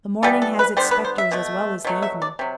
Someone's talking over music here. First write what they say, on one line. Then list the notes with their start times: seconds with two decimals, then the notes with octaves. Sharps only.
The morning has its spectres as well as the evening.
0.23 E3 G3 B3 A4
0.42 A4
0.59 B4
0.77 D3 G3 B3 C5
0.91 B4
1.04 C5
1.18 E5
1.32 B2 A3
1.84 B2 F#3 A3
2.02 E5
2.22 D5
2.39 C3 F#3